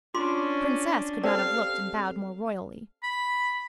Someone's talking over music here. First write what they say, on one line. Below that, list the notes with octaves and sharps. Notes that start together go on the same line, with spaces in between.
A princess could not have looked and bowed more royally.
C#4 D4 F4 C6 D6
C4 G4 A4 D5 F5
B5